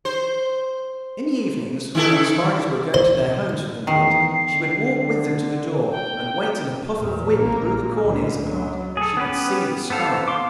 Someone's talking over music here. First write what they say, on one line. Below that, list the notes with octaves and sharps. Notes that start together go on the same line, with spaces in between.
In the evenings, when the spiders were going to their homes for the night, she would walk with them to the door and wait till a puff of wind blew the corn ears apart, and she could see the sky.
C5
D#3 E4 A4
C5
E2 D#3 C7
D3
G5
E2 A#2
A#1 A#3
A#2
C#2 D3
F#3
G#4 A4
B3 C#4 G4 B4
B3 C4 A4 F5
F5 C6 D6